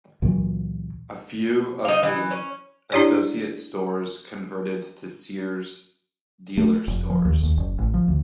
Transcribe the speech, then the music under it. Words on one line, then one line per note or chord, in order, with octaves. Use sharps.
A few of the associate stores converted to Sears Dealer stores.
C#2 A#2 E3 F#3
D#4 F5
E3
C#4
D4 E4 G4 C#5 D5
A3
F1
F3
D#2
D#2
F#1
A1
F3
D2